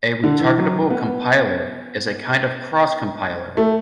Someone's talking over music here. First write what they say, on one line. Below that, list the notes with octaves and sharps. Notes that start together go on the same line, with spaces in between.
A retargetable compiler is a kind of cross compiler.
D3
E3
F#3
B3
A3